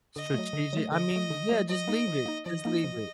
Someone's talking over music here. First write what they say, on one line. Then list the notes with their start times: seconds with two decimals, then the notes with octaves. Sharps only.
Strategi I mean, yeah, just leave it, just leave it.
0.16 D3 D#5
0.34 F#3 A3
0.53 D3
0.73 F#3 A3
0.92 D3 D#5
1.11 F#3 A3
1.30 D3
1.49 F#3 A3
1.68 F3 D#5
1.88 A#3 D#4
2.07 F3
2.26 A#3 D#4
2.45 F3 D#5
2.65 A#3 D#4
2.84 F3